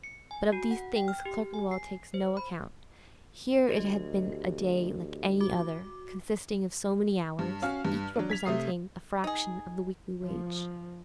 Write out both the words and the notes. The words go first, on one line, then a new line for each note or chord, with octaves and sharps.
But of these things Clerkenwell takes no count; here it had been a day like any other, consisting of so many hours, each representing a fraction of the weekly wage.
C#7
G#5
F#4
F#5
G5
F6
G4
G#5
C7
C5
B5
D2 G4 D#5
F#4 D6
G2
C#4 F#4 F5 F6
G2
F#3 D4
G#6 B6 F7
C3 A3 D#6 C7
D#4 G#4
F3